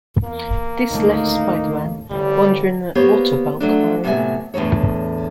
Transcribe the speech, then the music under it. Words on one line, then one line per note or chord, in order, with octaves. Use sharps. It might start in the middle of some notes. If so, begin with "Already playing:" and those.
This left Spider-Man wondering What about Carrion?
E2 A#3
D#1 G#1 D2 D3 A3 D#4
A1 D3 G3
A#3 B3 G4 C5 C#5
F#3 A3 D4
A2 C3 F#3 B3 E5 G#5
E2 A2 D3 F#3 C#5